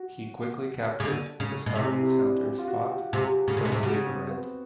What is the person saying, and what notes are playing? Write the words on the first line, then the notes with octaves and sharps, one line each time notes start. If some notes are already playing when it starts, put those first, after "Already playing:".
He quickly captured the starting center spot for the Big Red.
Already playing: F#4
C#3
D3
C#3
B2
C3 G#4
E4
D4
G4
F4
F#4
G4
C3 G#4
C#3 G#4
C3
B2
C3
C#3 F#4
C4
B3